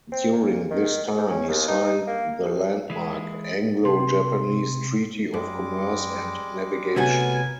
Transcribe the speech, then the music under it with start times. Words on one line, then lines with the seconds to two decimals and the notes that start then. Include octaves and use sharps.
During this time he signed the landmark Anglo-Japanese Treaty of Commerce and Navigation.
0.12 C4
0.33 A#2
0.71 D#3
1.18 G#2
1.30 C#4
1.49 D#2
1.68 D#4
2.08 A#3
2.43 C2
2.90 E3 G#3 E4
3.85 C3 C6
5.34 F#2 G3 G#3 D6
6.96 G1 C3 A3 B3 F#4 A#4 C#5 G#5